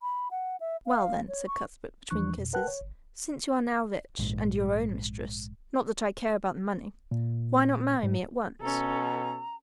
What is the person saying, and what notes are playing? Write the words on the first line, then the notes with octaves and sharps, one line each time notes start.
"Well, then," said Cuthbert, between kisses, "since you are now rich and your own mistress--not that I care about the money--why not marry me at once?"
B5
F#5
E5
F5
C#5
C#6
E2 E3 F3 D4 C#6 F#6
F2 B2
A#4 B4 F#5 G5 A5 F#6
C#5
G1
A#1 G#2
A#2
G#2
B2 C#4 A4 A#5